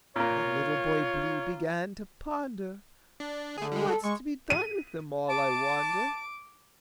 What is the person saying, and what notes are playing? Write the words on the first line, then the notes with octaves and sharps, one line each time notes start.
Then Little Boy Blue began to ponder: "What's to be done with them all, I wonder."
A#2 A#3 F4 C#5
D4
D3 A3 G#4
G3 G#3
A4
G#3 C#6
D#7
A5 D6